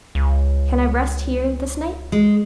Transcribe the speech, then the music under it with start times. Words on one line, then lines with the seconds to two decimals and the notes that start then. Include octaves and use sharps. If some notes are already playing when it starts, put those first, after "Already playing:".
'Can I rest here this night?
0.15 C#2
2.12 G#3